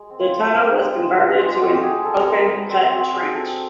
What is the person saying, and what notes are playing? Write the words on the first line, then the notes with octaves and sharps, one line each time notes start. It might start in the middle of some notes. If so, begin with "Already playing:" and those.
The tunnel was converted to an open cut trench.
Already playing: G#3
C4
F4
F4
C4
G#3
G#3
F4
F#4
G#3 F4
G4
G#3 F#4
G4
G#3 G#4
C4 A4
G#3 A#4
G3 B4
C4 C5
C4 F#4
G3 G#4
C4 A4